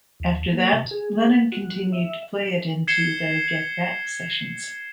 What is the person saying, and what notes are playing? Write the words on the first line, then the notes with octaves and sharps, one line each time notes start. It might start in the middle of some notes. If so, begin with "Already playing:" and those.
After that, Lennon continued to play it into the Get Back sessions.
D#2
A#3
C3
G#4
F#4
E5
G#6 C7 C#7 E7 G7